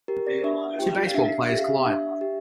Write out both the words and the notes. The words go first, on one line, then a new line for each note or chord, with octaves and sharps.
Two baseball players collide.
G4 A#4
D5
D4 E5
G4 G5
F5
D4 E5
G4 E5
F5
E5
D4 E5
G4